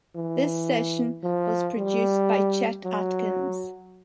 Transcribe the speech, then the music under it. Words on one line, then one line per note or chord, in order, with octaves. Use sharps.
The session was produced by Chet Atkins.
E3
F3
G3
F#3